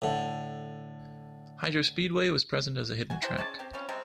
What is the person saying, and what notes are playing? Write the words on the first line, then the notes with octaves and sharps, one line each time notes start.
Hydro Speedway was present as a hidden track.
A2 D3
F#4 G#5
E4 G4 A4 C5
C#4 G#4 D5 A5
C4 G4
F3 G3 C4 C#4
C3 G3 G#3 C4